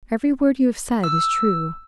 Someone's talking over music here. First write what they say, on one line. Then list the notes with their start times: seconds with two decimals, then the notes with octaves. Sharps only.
Every word you have said is true.
1.04 E6